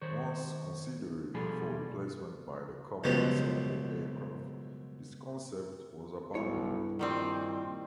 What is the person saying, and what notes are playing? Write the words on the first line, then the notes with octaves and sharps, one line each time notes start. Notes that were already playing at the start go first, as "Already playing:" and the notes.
Once considered for replacement by the "Common Support Aircraft", this concept was abandoned.
D#3 C5 C#5
B2 F3 G3 G#4 A4 B5
C#2 F#2 B2 F3 G3
B1 G2 E4 C#5
A#2 D#3 G3 C4